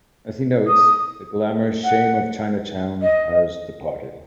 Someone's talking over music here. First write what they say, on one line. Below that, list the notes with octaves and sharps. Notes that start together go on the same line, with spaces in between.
As he notes, "the glamorous shame of Chinatown has departed".
D#6
F#5
D#5